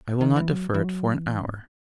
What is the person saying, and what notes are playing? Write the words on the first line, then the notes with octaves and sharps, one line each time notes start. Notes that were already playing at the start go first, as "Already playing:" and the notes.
I will not defer it for an hour.'
D#3
E3
F#3
E3
F#3
E3
A2
G#2